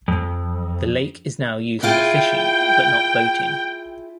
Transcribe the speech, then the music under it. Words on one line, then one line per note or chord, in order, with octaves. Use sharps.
The lake is now used for fishing, but not boating.
F2
E4 F4 G#4 G5